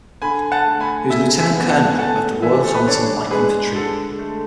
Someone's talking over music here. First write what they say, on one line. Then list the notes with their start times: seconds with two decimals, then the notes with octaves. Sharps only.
He was lieutenant-colonel of the Royal Hamilton Light Infantry.
0.22 D3 G#5 B5
0.52 F#5 A5
0.66 A3
0.80 G#5 B5
1.10 C#3 E5 G#5
1.40 E5 G#5
1.55 B3
1.69 F#5 A5
1.91 G#5
1.98 A3 F#5 A5
2.42 E3 E5 G#5
2.63 A4
2.74 B4
2.87 D4 A4 C#5
3.31 G#3 G#4 B4
3.75 D3 A4
4.19 A3